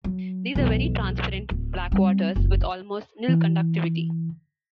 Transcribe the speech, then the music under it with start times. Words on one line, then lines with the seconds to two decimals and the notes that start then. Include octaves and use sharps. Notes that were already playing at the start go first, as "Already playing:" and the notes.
These are very transparent blackwaters with almost nil conductivity.
0.04 F#3
0.55 B1 E2
1.51 D1
1.92 G3 C4
2.36 F#1 C#2
3.28 E3